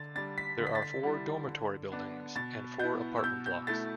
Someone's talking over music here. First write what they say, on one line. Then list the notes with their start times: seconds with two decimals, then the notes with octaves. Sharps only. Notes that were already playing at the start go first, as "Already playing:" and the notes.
There are four dormitory buildings and four apartment blocks.
Already playing: D3 A6
0.15 G3 D4 A6
0.38 B6
0.60 D3
0.67 B6
0.75 A6
0.82 B6
1.03 G3 E4
1.48 D3
1.92 B3 D4
2.36 B2 A6
2.79 B3 E4 G6
3.18 E6
3.24 B2 G6
3.46 G6
3.67 A3 E4 A6